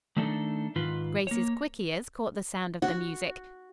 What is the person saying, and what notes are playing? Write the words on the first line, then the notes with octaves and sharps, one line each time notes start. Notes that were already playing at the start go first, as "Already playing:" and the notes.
Grace's quick ears caught the sound of the music.
D#3 A3 D4 D#4 A4
G#2 D#3 F4 B4
A#3 C#5
F#4